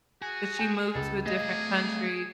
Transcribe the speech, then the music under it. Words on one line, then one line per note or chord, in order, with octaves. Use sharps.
But she moved to a different country,
F#4 G#4
G#5 G6
C#2 A4
A3 G#4 D#5 F5 A#6